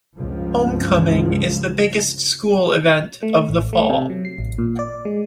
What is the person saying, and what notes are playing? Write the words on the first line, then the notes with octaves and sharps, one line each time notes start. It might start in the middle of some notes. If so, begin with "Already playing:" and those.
Homecoming is the biggest school event of the fall.
C#2 G2 F3
A3
A1
A3
C3
F#3
C7
A1
A#2
D5
G#3